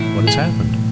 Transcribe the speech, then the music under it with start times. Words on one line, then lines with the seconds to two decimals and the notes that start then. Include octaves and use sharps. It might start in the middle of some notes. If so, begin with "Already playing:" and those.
"What has happened?"
Already playing: B1 A2 E3 E4
0.27 G#4